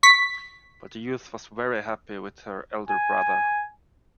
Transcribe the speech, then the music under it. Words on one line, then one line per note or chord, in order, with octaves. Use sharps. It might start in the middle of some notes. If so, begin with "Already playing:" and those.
But the youth was very happy with her elder brother.
C#6 B6
G#5